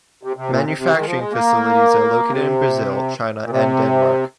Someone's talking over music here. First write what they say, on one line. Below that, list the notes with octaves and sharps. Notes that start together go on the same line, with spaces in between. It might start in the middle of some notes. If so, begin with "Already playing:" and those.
Manufacturing facilities are located in Brazil, China and Denmark.
C3
C3
A#2
C3
C3
D#3
G#3
F3
G#3
A#3
C3
A#2
C3